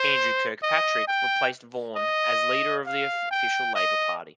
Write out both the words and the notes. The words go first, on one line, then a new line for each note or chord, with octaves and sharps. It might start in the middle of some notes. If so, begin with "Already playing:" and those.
Andrew Kirkpatrick replaced Vaughan as leader of the official Labor Party.
Already playing: C5
D#5
G5
D#5
F5
G5
D#5